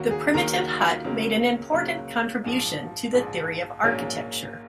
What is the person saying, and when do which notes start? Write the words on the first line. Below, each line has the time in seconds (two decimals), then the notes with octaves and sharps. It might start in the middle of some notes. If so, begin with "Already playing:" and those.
The Primitive Hut made an important contribution to the theory of architecture.
Already playing: D#2 D#3 F#3 A#3 F#4
0.11 G#4
0.34 D#2 D#3 F#3 A#3 A#4
0.57 F#4
0.80 F4
1.05 C#2 C#3 F#3 A#3
1.74 C#2 C#3 F#3 A#3
2.44 A#1 G#2 F3
3.13 A#1 G#2 F3
3.84 A#1 G#2 F#3 A#3 C#4